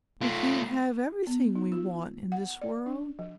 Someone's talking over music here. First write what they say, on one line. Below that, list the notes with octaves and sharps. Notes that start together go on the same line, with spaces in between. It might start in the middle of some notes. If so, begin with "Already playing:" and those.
"We can't have everything we want in this world."
A3 F4
B3
D#4
F4
F#5
D5
D4
F3